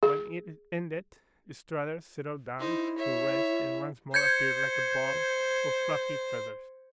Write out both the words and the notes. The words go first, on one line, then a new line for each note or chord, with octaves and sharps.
When it ended Strutter settled down to rest and once more appeared like a ball of fluffy feathers.
G#4
D#4 E4 C5
C#5 E5
C5 G6 G#6 C#7